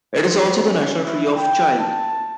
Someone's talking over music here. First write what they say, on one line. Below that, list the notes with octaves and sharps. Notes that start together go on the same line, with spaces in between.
It is also the national tree of Chile.
C5
C#4
E4
G5
A5